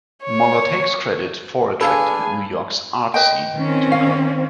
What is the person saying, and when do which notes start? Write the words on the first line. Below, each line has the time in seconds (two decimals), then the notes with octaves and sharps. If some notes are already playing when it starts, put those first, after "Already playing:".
Moller takes credit for attracting New York's art scene to the club.
0.24 C#5
1.81 D4 G#4 A4 B4 F5 G#5 B5 G#6
3.14 B4 D#5 G5
3.54 D#3 C4 C#4
3.92 F5